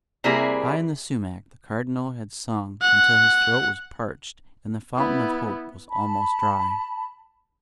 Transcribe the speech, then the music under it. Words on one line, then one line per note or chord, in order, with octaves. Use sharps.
High in the sumac the Cardinal had sung until his throat was parched, and the fountain of hope was almost dry.
C3 G3 A#3 C4 E4 G#4
F#5
B3 E4
A5 B5